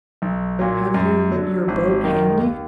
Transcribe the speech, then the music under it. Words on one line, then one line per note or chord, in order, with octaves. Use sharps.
"Have you your boat handy?"
B1
A#2 F#3
F#2
D3 F#3
G#1
F#2 D#3 A#3 D#4
D#2